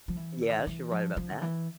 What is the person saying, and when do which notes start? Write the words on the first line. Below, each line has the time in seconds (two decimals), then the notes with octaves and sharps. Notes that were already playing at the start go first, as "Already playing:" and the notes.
Yes, you're right about that.
0.08 F3
0.17 E3
0.41 D3
0.49 E3
0.59 D3
0.67 E3
0.92 F3
1.17 F3
1.29 D3
1.42 E3